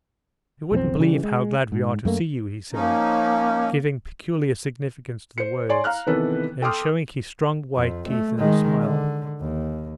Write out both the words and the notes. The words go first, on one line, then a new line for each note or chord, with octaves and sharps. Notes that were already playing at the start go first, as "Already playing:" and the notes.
"You wouldn't believe how glad we are to see you," he said, giving peculiar significance to the words, and showing his strong white teeth in a smile.
B1 F2 F#3 C4
C#3 E3 G3
G#3
G#2
F#2 A3 A#3
F3 A#3 C#4 D#4
C5 C#7
C#5 D5 G#5 C6
F5 A#5 F6 F#6
C3 D#3 E3 B3 A4 B4
A4 G5 C6 D6 D#6 F6
F2
A3
D#3 G#3
D3
D#2